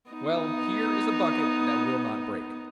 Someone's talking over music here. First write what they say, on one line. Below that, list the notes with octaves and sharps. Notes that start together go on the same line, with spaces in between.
Well, here is a bucket that will not break.'
B3 D#4